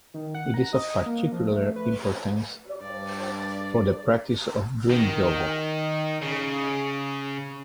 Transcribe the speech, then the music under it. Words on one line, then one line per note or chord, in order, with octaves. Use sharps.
It is of particular importance for the practice of dream yoga.
D#3
F#5
A#5
D#5
A#3
F3
A3
B4
G2 D5
D#3
C#3